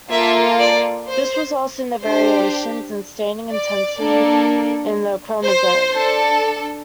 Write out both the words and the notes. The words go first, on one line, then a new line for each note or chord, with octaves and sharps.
This results in the variations in staining intensity in the chromosomes.
A#3 F4 A4 E5
D5
C5
D4 G4 C5
D5
A#3 D4 A4
C5
D4 A4